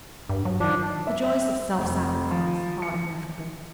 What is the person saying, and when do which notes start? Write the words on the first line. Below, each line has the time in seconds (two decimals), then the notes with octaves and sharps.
The joys of self-sacrifice are ineffable.
0.29 G2
0.45 F#3
0.60 D#3 F3 D4
1.07 E5
1.23 E5
1.78 F1
2.31 F3
2.82 C#7